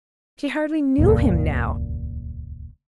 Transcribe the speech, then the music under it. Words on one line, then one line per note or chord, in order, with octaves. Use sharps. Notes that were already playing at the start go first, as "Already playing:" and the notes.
She hardly knew him now!
D#1 C#2 F#2 A#2